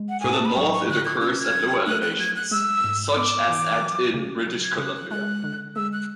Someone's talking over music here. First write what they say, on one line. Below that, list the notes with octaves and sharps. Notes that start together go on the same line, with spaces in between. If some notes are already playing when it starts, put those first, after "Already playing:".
Further north it occurs at lower elevations, such as at in British Columbia.
Already playing: G#3
F#5
A2 G#5
A5
B5
F#3 C#6
C#6
D3 F#6
G#6
C#4 G#6
G#6
F#3
A3 F#6
F#6
F#3 G#6
F#6
G#3 E6
G#2
B3 D6
E3
F#3
C#3
F#3
G#6
C#3 F#6
F#6
G#3 F#6
D3
G#3 E6
F#6